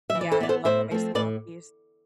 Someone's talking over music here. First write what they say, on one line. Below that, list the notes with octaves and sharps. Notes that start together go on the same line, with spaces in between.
Yeah, I love iced coffees.
E5
E3
D5
A4 C5
B3 D5
A4 C5
A2 C5 E5
F3 A3 C4
A2 B4 D5